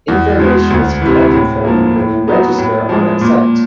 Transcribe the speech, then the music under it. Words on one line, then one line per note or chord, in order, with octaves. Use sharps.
Information is collected from you when you register on our site.
E2
B2 G#3
D2
C3 E3
A2
F3 A#3
A2
F#3 B3 D#4 F#4
A2
F3 G#3
A#2